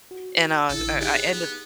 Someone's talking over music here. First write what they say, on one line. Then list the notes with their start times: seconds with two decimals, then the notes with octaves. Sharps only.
and, uh, I I ended
0.11 F#4
0.69 A1 D3 E4 A4
1.01 B3 D#4 G4 G#4
1.32 B3